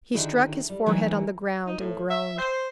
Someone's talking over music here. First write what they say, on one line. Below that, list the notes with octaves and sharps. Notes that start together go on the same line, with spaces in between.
He struck his forehead on the ground and groaned.
D3 D#3 E4 F#4 G#4
G3
E3 F#3 A#3 D#4 E4
D#4
A2
E5
C5